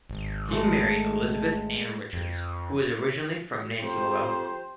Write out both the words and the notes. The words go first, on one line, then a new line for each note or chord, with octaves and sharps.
He married Elizabeth Ann Richards, who was originally from Nantymoel.
G#1
G#3 A3
F2
F2 G4 C5